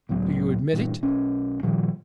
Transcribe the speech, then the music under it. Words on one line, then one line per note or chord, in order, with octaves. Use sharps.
Do you admit it?
C#2 A2 F#3 B3
G2 A#2 E3
B1 C#4
A#2 D#3 F3 G3